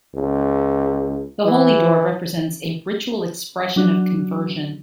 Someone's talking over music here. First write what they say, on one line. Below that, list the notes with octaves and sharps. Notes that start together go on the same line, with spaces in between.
The Holy Door represents "a ritual expression of conversion".
C#2
E3
F#3 D4 F#4